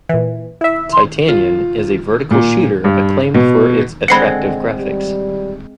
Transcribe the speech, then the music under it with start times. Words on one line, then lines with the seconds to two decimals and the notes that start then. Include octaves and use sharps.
"Titanion" is a vertical shooter acclaimed for its attractive graphics.
0.09 A#2 E3
0.61 E4 E5
0.93 C6
1.28 F4
2.31 A#2
2.84 G2
3.34 B2
4.08 D3 G#3 C4 F#5 B5 C7 C#7
4.79 G3